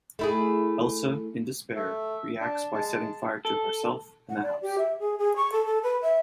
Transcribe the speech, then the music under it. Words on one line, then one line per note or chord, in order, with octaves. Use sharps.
Elsa, in despair, reacts by setting fire to herself and the house.
A3 E4 G#4
A3 E5
D4 A5
G#3 A5
A4
F#5
D5
G4
E5
G#4
G#4
C#6
A4
A4
B4
E5